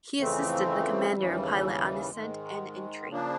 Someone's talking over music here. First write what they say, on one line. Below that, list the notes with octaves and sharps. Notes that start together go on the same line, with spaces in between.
He assisted the commander and pilot on ascent and entry.
F2 C#3 E3 A3 C4
D#2 C#3 E3 G3
G#2 D#3 G#3
C#3 F3 A#3 D4